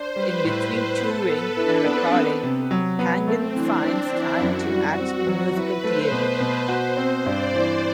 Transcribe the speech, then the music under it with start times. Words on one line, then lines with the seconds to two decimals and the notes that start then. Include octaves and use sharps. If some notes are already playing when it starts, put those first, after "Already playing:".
In between touring and recording, Pangan finds time to act in musical theater.
Already playing: D4 C5
0.15 G3 B4
0.44 A2 B4
0.72 A2
1.00 B3 A4
1.29 B3 B4
1.57 D4 E4
1.86 B3 C4
2.14 B3
2.43 C3
2.71 F#3
2.99 B3
3.28 A3 C4
3.56 E3 D4
3.84 C4
4.12 E3 E4
4.41 F#2 F#4
4.69 G3
4.99 C4
5.27 F#3
5.55 E4 B4
5.84 A3 C5
6.12 B2
6.40 B2
6.68 F#4
6.97 C4
7.26 G2 D5
7.54 E3